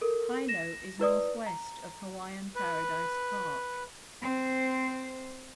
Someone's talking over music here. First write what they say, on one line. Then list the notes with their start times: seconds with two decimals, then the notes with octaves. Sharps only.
Hilo is northwest of Hawaiian Paradise Park.
0.01 A4 A#4
0.48 A#6 E7
0.99 E4 B4 D5 D#6
1.46 A#5
2.55 B4
4.22 C4 C5